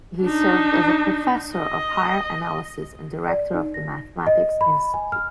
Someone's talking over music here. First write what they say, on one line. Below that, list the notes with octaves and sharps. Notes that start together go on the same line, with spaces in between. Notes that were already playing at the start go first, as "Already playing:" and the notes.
He served as a professor of higher analysis and Director of the Mathematics Institute.
D4 D#4
D#5
D5
D#4
A#6
D#5
B5
G#5
F6